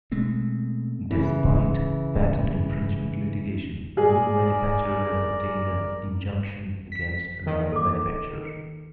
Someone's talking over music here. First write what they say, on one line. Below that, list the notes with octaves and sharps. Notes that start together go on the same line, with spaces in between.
Despite patent infringement litigation, no manufacturer has obtained an injunction against another manufacturer.
B2 G#3 A3 C4
C#3 E3
G#4 A#4 D5
B6
D#2 D#3
A4 D6